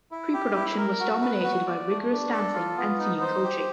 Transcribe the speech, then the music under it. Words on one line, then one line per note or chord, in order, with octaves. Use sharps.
Preproduction was dominated by rigorous dancing and singing coaching.
E4
G4
E4
A#4
F#4
B4
F#4
D5
A3
D4
A4
F4
B3
D#4
C5
G4